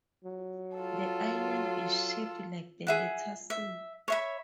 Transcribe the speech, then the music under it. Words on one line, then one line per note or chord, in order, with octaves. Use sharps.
The island is shaped like the letter 'C'.
F#3
F4 A4
G#4 E5 F#5
E5
C#5 E5 B5